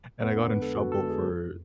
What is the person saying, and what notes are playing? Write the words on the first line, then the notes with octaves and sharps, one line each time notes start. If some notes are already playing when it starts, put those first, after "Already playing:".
And I got in trouble for
F2 B3
D4
D3 G#3 B4
A4
F2 F#4
A4
D3 G#3
G#4
F2